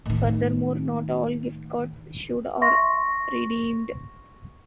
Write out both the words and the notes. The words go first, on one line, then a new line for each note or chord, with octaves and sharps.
Furthermore, not all gift cards issued are redeemed.
A2 D#3
E5 C6 C#6 A#6